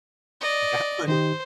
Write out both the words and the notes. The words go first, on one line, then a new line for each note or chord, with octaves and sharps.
That one
D5 D#5
D#3 D#4 G4 C5